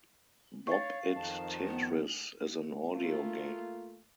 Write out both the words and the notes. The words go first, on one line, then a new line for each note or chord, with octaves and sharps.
Bop It Tetris is an audio game.
C#5 F5 C#6 A6
F2 D#3 A5
B3
A3 A#3 F4